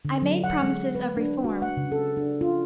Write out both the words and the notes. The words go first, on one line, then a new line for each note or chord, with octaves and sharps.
I made promises of reform.
D3
F#3
F#5
G#3
B4
D4
F#4
F#5
C#3
A4
D4
F4